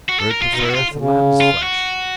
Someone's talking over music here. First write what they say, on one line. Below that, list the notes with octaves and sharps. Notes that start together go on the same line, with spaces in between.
For it preferreth lamb's flesh.
F#4
A4
A#4
F4
B2 D#4
F4
E4
F#4
C3 F4
D3
C#3
F4
F#4